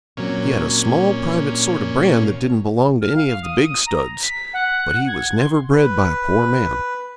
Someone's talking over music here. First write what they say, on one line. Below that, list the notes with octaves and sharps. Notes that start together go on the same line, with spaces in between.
He had a small private sort of brand that didn't belong to any of the big studs; but he was never bred by a poor man.
A#2 F#3 C4 C#4
F6
F5
D#6
A#5
B6
F#5
G#6
C6
B4